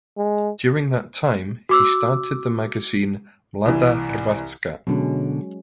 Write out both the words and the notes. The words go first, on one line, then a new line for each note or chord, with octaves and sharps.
During that time he started the magazine "Mlada Hrvatska".
G#3
F#4 D6 E6
C2 E3
B2 D3 F#3 G#3 C#4